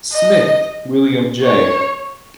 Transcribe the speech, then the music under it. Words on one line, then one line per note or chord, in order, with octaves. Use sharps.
Smith, William Jay.
D#5
C#5